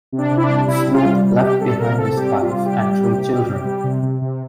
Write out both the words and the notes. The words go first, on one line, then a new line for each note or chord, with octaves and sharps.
Sloot left behind his wife and three children.
C3
D4
C3
E4
D4
G3
C3 E4
C3
F4
G3
C3
C3 G4
G3 A4
C3 A#4
C3 A4
A4
G3 G4
C3
F4
G3 F4
G4
C3
G3
C3
G3
C3
G3
C3
C3
C3